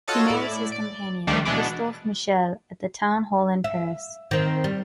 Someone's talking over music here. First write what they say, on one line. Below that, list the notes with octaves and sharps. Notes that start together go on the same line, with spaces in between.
He marries his companion, Christophe Michel, at the town hall in Paris.
F4 F#4 A4 C#5 D#5 A5
A2 E4 D5
D5
D2 D#3 F3 G3 A3 D4
B2 E3 G#3 B3 D4
E5
D#3 C4
G3